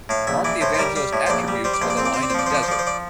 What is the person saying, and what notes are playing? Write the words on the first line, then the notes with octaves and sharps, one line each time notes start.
Mark the Evangelist attributes are the Lion in the desert.
A2 F5
A#1 E5
E3 D5
A2 C5
C5
G3 A#4
G3 F5
A2
C5
A#1 D5
G3
G3 C5
D5
A#1 C5
D5
C4 C5
D5
C4 C5
D5
C5
F3 D5
C5
F3 D5
C5
F3 D5
C5
D5